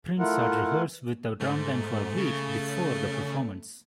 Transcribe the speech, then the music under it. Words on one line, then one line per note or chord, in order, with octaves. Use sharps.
Prince had rehearsed with the drum line for a week before the performance.
A3 E4 F4 A#4 F#5
G#2 A3
C#3